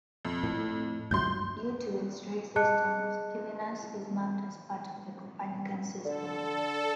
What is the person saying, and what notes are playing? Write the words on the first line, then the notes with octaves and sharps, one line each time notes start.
Due to its ray system, Stevinus is mapped as part of the Copernican System.
F2
A2
D2 G2 F#3 C6 G6
G#4 D#5 A5 F#6 C#7
D3 A4